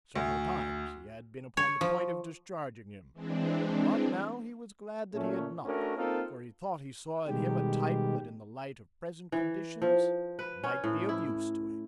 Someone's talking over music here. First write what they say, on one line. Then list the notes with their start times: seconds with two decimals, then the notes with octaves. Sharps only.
Several times he had been upon the point of discharging him, but now he was glad that he had not, for he thought he saw in him a type that in the light of present conditions might be of use to him.
0.16 D2
1.57 C#5
1.81 F3
3.13 E3 G#3 C4 D4
5.14 A#2 A3 C#4
5.65 A3 C#4 D4 F#4 A4 A#4
5.97 A#3 C4 D#4 F4 A4 A#4
7.28 B2 D#3 G3 G#3 G4
9.32 E3
9.82 F3
10.39 B4
10.64 C#4
10.84 A2
11.09 E4